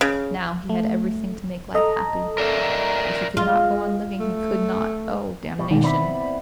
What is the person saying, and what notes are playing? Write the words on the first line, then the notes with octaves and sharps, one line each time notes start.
Now he had everything to make life happy ... but he could not go on living, he could not; oh, damnation!
C#3
A3
A4 D#5 A#5
A#4 D5 E5
G#3 F4
A3
D#2 B2 G3
D#2 G#2 B2 D#3 G3
B3 C4 E4 D5 B5